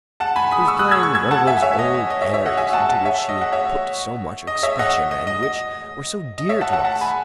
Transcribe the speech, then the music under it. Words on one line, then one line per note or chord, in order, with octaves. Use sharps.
She was playing one of those old airs, into which she put so much expression and which were so dear to us.
F#5 A5
G#5 B5
B5 D#6
C#6 E6
D#6 F#6
E6 G#6
C#6 E6
E6 G#6
F#5 A5
E5 G#5
C#5 E5
D#5
C#5
D#5
C#5 E5
C#5 E5
D#5 F#5
E5 G#5
F#5 A5
F#5 A5
C#5 E5
D#5
F#5
C#5 E5
D#5
C#5 E5
D#5 F#5
D#5
D#5
D#5
D#5
C#5 E5
F#5 A5
F#5 A5
F#5 A5
G#5 B5